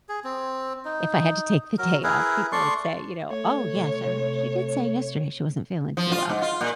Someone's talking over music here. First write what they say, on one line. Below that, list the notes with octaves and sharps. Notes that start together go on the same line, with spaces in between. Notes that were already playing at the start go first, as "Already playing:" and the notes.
if I had to take the day off, people would say, you know, "Oh, yes, I remember she did say yesterday she wasn't feeling too well."
G#4
C4
D#4
F#3 A#4
E4 G#4 A#4 B4
A3 D5 C6 C#6
A3 C#5
C3
F3
F4
G#2
F4
A#2